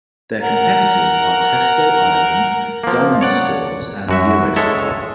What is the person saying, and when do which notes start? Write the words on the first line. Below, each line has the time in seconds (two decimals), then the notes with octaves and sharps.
Their competitors are Tesco Ireland, Dunnes Stores and Eurospar.
0.42 A#4 F#5
2.84 F3 A#3
3.21 C#5 D5 F#5
4.09 F#2 F#4 E5
4.56 G#3 A4 C#5 E5